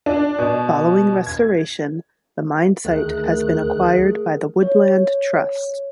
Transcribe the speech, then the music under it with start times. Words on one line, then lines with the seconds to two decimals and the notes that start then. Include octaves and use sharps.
Following restoration, the mine site has been acquired by the Woodland Trust.
0.06 D4
0.38 B2
1.26 G#6
2.85 D2 D#3 A3 G#4 A#4 F#6
4.63 C#5